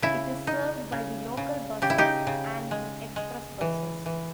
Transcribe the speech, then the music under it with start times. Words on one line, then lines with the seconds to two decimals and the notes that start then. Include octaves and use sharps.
It is served by the local buses and the express buses.
0.02 C#3 E4
0.47 D#4
0.92 C#3
1.37 C#3
1.82 C#3 G4
1.90 E4
1.98 D#4 G4
2.27 C#3
2.71 G#3
3.16 G#3
3.61 E3
4.06 E3